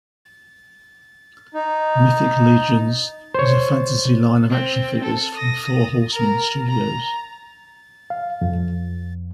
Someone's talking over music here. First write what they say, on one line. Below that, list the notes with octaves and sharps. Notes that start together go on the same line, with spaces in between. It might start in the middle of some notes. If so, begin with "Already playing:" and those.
Mythic Legions is a fantasy line of action figures from Four Horsemen Studios.
D#4
C5 C#5
C4
A4
D#6 A#6
A#4 A#5
A#5
F5
F2